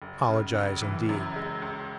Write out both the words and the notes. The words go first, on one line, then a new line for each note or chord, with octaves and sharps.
Apologise indeed!
F#1
C#3
F#1
E3
F#2
G#3
C#2